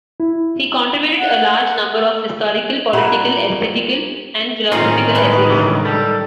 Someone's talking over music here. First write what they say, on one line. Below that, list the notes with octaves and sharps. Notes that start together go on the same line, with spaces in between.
He contributed a large number of historical, political, esthetical and philosophical essays.
E4
F#5
A#2 G3 E4 F#5
A2 D#3 C4 C#4 D#4 F4 G#4 C5
G2 D3 G#3 B4
C#3 E3
G3 A4